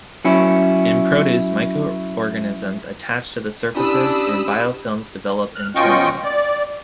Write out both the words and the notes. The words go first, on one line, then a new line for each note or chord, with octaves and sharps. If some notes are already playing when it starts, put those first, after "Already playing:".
In produce, microorganisms attach to the surfaces and biofilms develop internally.
F#3 C#4 E4
C#4 D4 E4 G4 G#5 B5 D#6 E6
F6 F#6
B2 C#4 F4 D#5 G5 C#6
D5